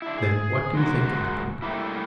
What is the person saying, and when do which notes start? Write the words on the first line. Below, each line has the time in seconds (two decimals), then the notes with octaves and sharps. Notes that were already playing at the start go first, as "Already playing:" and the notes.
Then what do you think happened?
0.02 D4 E4
0.18 G#4
0.75 G#3 F#4 A#4
1.62 G3 A3 A#3 E4